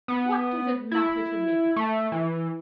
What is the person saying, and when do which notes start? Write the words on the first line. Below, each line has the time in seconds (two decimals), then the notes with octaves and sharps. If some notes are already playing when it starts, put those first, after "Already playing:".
"What does it matter to me?"
0.08 B3
0.91 E4
1.76 A3
2.12 E3